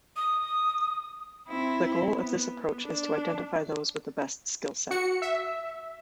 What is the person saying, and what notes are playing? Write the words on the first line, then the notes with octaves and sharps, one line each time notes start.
The goal of this approach is to identify those with the best skill set.
D#6
C4 E4
B3
D4
F#4 C#7
E5